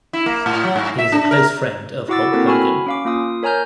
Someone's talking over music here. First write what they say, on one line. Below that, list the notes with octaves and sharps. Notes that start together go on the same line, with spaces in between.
He is a close friend of Hulk Hogan.
E4
A#3
A2
F#3
G#2
E5
D4
A#4
E4 F#4 F#5 D6 E6 A6
A#3 C4 E4 F#4 A4 A#4
F#4 G#5 B5 F6
C#4 F5 D6
A#3 F4 F5 D#6
A#4 C#5 G#5 A#5 F6 G6